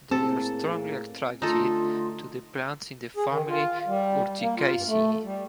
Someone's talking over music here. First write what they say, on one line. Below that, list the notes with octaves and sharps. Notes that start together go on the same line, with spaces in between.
They are strongly attracted to the plants in the family Urticaceae.
A2 A#3 C4 G#4 A4
D3 A3 D#4 F4 A4
G#4
D#3
F4
G3
A#3
F4
G2
A3
G3